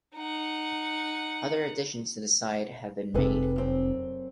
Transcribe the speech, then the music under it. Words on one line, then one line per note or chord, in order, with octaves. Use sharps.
Other additions to the site have been made.
D#4 F#5
F1 C3 G#4 A4 B4
F#2 C4